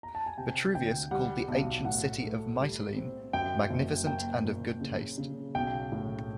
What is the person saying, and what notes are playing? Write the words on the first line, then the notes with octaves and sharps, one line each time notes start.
Vitruvius called the ancient city of Mytilene "magnificent and of good taste".
A#5
A5
G#5
C3 G5
D2 G5
G3 F#5
B1
A2 F#5
A3
G3
C4
F#2 G5
F#1
A#3 G5
A#2
C#3
C#3
B1 G5
A2